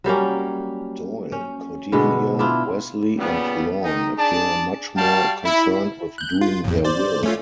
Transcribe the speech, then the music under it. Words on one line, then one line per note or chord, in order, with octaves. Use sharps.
Doyle, Cordelia, Wesley and Lorne appear much more concerned with doing their will.
F#3 G3 A#3 C#4
C#4
B2 D3 G#3 B3
D4 E4 F4
A#2 C#3 G3 B3
D#3 D#4
D4 G#4 D5 A5
G3 F#4 F5 G5 A5
E4
F#6 G6
F4
A1 F2
C5 D5
A3 C#4 F4